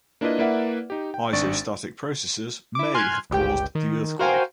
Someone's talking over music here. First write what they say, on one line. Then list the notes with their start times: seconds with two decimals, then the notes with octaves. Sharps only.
Isostatic processes may have caused the earthquake.
0.21 A#3 D4 E4 F4 B4 D#5
0.39 A#3 E4 B4 D5 E5 F#5
0.90 D#4 G4
1.14 G5
1.33 G#1 D4 D5 C#6 A6 D7
2.75 E4 D6
2.94 G#5 C6 F6 F#6 G#6
3.30 G1 C#2 G4 G5
3.75 D#3
4.19 F#4 A#4 C5 F5 G5 G#5